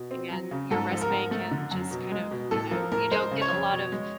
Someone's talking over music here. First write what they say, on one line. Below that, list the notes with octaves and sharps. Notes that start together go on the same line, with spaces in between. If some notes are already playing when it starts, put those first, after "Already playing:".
and your resume can just kind of, you know you don't get a lot of
Already playing: B2
C4
F#3
C#3
G#2 A4
F3
A#4
G#2
A3
D3
F#2
B2
G#3
B2
A2 A4
F3 A#4
A2 A#4
G#3 C5
C#3
C#5
F2
B2
G#3